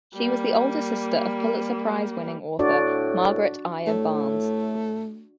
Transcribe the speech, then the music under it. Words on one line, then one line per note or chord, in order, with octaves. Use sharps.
She was the older sister of Pulitzer Prize-winning author Margaret Ayer Barnes.
G3 A#3
A2 D4 F#4 D5
A2 A3